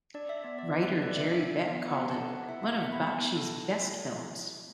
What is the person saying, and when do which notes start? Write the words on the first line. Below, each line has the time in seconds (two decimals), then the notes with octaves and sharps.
Writer Jerry Beck called it "one of Bakshi's best films".
0.14 D4 D5
0.29 E5
0.44 B3 D5
0.59 D5
0.73 B3 B4
0.88 B4
1.02 A4 D5
1.17 E5
1.32 D4 E5
1.61 B3
1.90 B3 F#5
2.09 A5
2.19 A4
2.29 F#5
2.49 E4 E5
2.63 E5
2.77 B3 F#5
2.92 B5
3.07 B3 A5
3.36 A4
3.65 E4